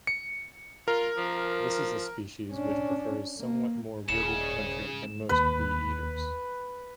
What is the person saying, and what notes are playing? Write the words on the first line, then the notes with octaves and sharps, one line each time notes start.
This is a species which prefers somewhat more wooded country than most bee-eaters.
C#7
F4 A#4
F3
C#4 D4
A#3
D#1 C#3 G#4 E7
D#2 B4 B5